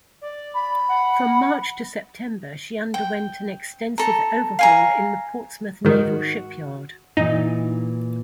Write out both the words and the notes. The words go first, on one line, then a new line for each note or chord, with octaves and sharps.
From March to September she underwent an extensive overhaul in the Portsmouth Naval Shipyard.
D5
B5
F#5
G5
A4 A#5
F5 G#5 A#5
G#2 D#3 F#4
A#2 E3 D#4